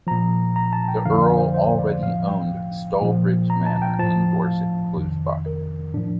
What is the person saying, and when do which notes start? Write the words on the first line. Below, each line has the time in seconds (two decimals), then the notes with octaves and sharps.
The Earl already owned Stalbridge Manor in Dorset close by.
0.07 A#2 F3 A#5
0.56 A#5
0.73 A5
0.88 G5
1.05 F2 D3 F3 F5
1.22 D5
1.37 C5
1.54 C5
1.79 D5
2.03 A2 F3 F5
2.28 G5
3.02 A#2 F3
3.50 A#5
3.67 A5
3.82 G5
3.99 A2 F3 A5
4.48 F5
4.97 F2 C3 D#3
5.46 A#4
5.94 A2 F3 D4